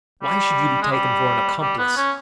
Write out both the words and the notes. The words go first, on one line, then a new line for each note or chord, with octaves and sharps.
"Why should you be taken for an accomplice?"
G3
G#3
G3
G3
B3
C#4